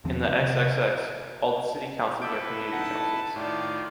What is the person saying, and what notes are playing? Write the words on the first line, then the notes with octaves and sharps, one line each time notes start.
In the XXX, all the City Councils are Community Councils.
E2 D3 F3 C4
D2 A#2 C#3
C3
E4 A4 B4 D6 G6 D7
D#4 F#5 A5 A#6
A2 D#3 F4 D5